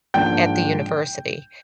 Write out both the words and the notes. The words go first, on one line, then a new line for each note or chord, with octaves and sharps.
at the university,
G#2 F3 A#3 D4 G5 G6